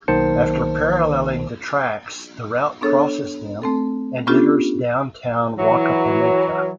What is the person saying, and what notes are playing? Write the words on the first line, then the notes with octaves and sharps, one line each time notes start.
After paralleling the tracks the route crosses them and enters downtown Wapakoneta.
B1 D#3 A#3 C5 A5 C#7
B3 D4 G#4 A4 C#5
A3 C4 A4
B3 C#4 D4 F4 G4 A4
E3 F#3